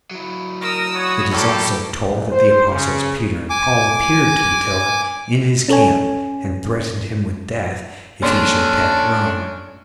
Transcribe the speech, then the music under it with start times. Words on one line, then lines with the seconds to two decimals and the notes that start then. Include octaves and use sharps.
It is also told that the apostles Peter and Paul appeared to Attila in his camp and threatened him with death if he should attack Rome.
0.11 F#3 E4
0.61 A#4 D#6 E6
0.94 F#4 C#5
1.32 A2 G3 A#3 G4 A4 C#5 A#5
1.96 A1
2.31 C5
2.72 C#3
3.50 G#5 D6
5.68 C#4 A4 C#5 G#5
8.22 A#1 C#4 D4 A4 C6